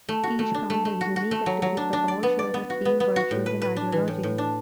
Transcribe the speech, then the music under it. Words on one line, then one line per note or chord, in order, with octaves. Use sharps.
Each branch has unique activities but all share the same virtues and ideology.
A3
F#4
A3
D4
A3
A3
F#4
F#4
A3
F#3
F#3
D4
D4
D5
B3
D5
B3
F#4
B3
B3
F#4
A2
B4
B4
D4
E3
A2
A2
D4